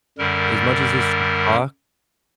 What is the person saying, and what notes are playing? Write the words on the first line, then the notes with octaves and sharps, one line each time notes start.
As much as it's you talk,
F#2 D3 G3 A#4